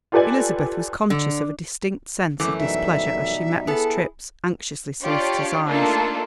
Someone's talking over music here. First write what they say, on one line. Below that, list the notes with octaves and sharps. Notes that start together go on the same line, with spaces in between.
Elizabeth was conscious of a distinct sense of displeasure as she met Miss Tripp's anxiously solicitous eyes.
F4 G4 A4 B4 D5 G#5
D3
F#2 E3 A3 D6
B2 G3 D#4 E5
B3 E4 G#4 A4
D4 F4 G4 C#5 D5
A3 A#3 D4 D#4 F4 A4